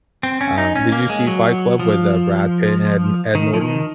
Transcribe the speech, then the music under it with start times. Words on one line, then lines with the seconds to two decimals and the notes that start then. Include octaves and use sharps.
Um, did you see Fight Club with, uh, Brad Pitt, and Ed Ed Norton?
0.23 C4
0.41 C#4
0.58 D#4
0.76 C#4
0.92 A#3
1.09 G#3
1.27 F#3
1.79 F3
3.35 D#3
3.53 F3
3.61 D#3